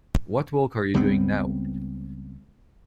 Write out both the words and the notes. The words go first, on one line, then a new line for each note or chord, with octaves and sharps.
What work are you doing now?
C#2 G3 B3 C4